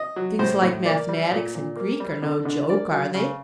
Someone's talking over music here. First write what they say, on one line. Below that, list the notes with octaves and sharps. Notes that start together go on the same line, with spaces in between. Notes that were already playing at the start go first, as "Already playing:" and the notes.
Things like mathematics and Greek are no joke, are they?
Already playing: D#5
F#3
A2 C5
A2
A#3 D5
G3
A#2
A#2
A#3
G3
D3
D3
A#3 D5
F#3
C#3